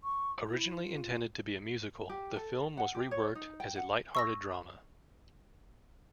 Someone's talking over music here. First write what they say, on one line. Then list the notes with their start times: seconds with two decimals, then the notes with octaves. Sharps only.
Originally intended to be a musical, the film was re-worked as a light-hearted drama.
0.04 C#6
0.46 E4
0.83 F4
2.09 G4
2.36 A4
2.77 F#5
2.95 G4
3.11 C#5
3.35 D#4
3.60 G5
3.76 F#5
4.15 C#6 E6 A#6